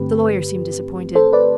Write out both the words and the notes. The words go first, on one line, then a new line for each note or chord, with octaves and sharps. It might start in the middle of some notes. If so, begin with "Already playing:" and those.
The lawyer seemed disappointed.
Already playing: G2 D3 A3 C4 G4 B4
A4 C5
B4 D5